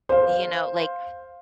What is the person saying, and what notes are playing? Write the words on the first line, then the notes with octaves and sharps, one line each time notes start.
you know like,
C5 F5